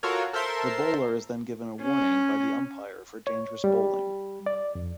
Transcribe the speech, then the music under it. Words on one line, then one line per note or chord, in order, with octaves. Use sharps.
The bowler is then given a warning by the umpire for dangerous bowling.
F4 F#4 A4 A#4 C#5
A4 A#4 C5 E5 C6
C#4
C#5
G3
D5
F2